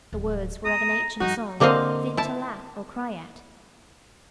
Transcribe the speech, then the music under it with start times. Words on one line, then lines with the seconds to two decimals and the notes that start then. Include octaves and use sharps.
The words were of an ancient song, fit to laugh or cry at.
0.13 D1
0.65 B3 A#5 D#6
1.20 G2 F3 D#4 F#4
1.60 D3 A#3 C4 D#5 F5
2.17 E4 A5